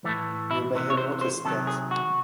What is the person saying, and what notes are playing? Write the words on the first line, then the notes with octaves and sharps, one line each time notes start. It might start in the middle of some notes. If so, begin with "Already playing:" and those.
You may have noticed that.
A2 E3 A3
E4
C3 E3
C#5
C5
C5
C3 D#3 F#3 A4
G#4
F#4